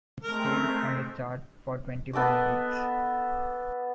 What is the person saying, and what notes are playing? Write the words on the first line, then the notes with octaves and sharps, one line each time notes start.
It stayed on the chart for twenty-one weeks.
G#3 A3 C4 A#4
B3 A4 D5 D#5